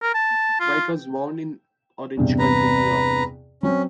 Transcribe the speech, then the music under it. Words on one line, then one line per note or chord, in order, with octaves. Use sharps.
White was born in Orange County, New York.
A#4
A5
F4
E2 G2 C3
B4 A#5
F#3 C4 C#4